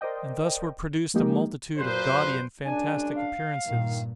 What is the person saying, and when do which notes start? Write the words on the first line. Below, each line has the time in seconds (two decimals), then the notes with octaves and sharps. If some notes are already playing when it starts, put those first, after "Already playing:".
And thus were produced a multitude of gaudy and fantastic appearances.
0.01 A#4 C5 D5 D#5 G5
1.14 F3 G#3 A#3 D#4 G4
1.77 F#2 A#2 B4 C5
2.65 F#2 G#3 D4 G#5
3.15 F5
3.66 G2 A#2 D#3